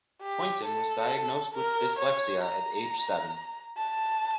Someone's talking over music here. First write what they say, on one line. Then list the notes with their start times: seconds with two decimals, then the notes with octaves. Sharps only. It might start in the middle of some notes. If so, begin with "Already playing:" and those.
Tointon was diagnosed with dyslexia at age seven.
0.22 G4
0.66 A4
1.55 A#4
1.99 C#5
2.44 A#5
3.77 A5